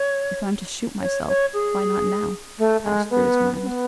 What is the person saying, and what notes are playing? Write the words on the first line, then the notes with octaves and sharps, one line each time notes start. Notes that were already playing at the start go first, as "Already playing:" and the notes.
"If I'm to shoot myself, why not now?" passed through his mind.
Already playing: C#5
C#5
C#5
G#4
A3
G#3
B3
C#4
B3